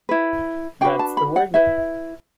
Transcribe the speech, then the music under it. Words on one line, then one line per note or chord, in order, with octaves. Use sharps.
That's the word.
E4 B4
D4 F#4 B4 G5
A5
B5
F#5
E4 B4 E5